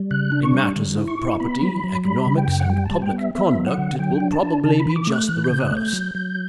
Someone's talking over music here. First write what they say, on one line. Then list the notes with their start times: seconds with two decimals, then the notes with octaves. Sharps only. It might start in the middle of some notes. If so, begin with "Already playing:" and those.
In matters of property, economics and public conduct it will probably be just the reverse.
Already playing: G3
0.11 C#3 F#6
0.32 D4
0.43 C#6
0.54 G3
0.76 D3
0.97 E4
1.08 C#6
1.19 E4
1.40 B3 B5
1.62 F#3
1.84 F#3
2.05 G3 B5
2.27 C#3
2.37 G5
2.48 F#2
2.60 F#5
2.70 G3 G5
2.86 A5
2.91 G3
3.02 G5
3.13 B3
3.18 E5
3.35 B3 E5
3.56 F#3
3.66 F#5
3.78 D3
3.99 F#3 G5
4.20 D4
4.32 A5
4.43 D4
4.64 C#3 A5
4.80 B5
4.85 E3
4.96 D6
5.07 A3
5.12 F#6
5.28 E3 F#6
5.44 G6
5.50 C#3
5.60 F#6
5.71 A3
5.77 G6
5.93 F#3
6.15 F#3